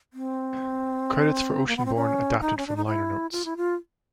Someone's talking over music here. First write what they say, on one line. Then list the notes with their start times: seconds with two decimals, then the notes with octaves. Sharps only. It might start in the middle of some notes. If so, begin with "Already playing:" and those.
Credits for "Oceanborn" adapted from liner notes.
0.13 C4
1.68 A#3
1.77 B3
1.86 C4
1.95 C#4
2.41 D#4
2.57 C#4
2.67 D4
2.76 D#4
2.86 E4
3.32 F4
3.45 E4
3.57 F4